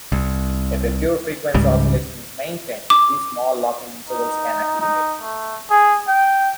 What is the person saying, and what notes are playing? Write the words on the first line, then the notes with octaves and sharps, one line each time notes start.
If a pure frequency oscillation is maintained, these small lock-in intervals can accumulate.
C2
C#2 G#2 C#3 G3
D6
D#4
D#4
A3
G#4
G5